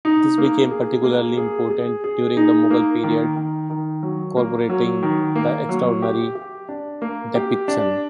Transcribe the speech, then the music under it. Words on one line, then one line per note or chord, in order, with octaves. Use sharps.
This became particularly important during the Mughal period corroborating this extraordinary depiction.
D#4
A#3
G#4
A#3
G#4
G#4
G#4
D#4
A#3
D#3
D#3
D#3
F#3
A#3
F#3
D#3
A#3
F#3
G4
G4
D4
A#3
G4
D4